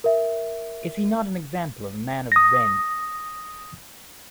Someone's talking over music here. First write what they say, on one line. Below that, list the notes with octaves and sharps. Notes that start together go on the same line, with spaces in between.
Is he not an example of a man of "ren"?
A#4 E5
D#6 A#6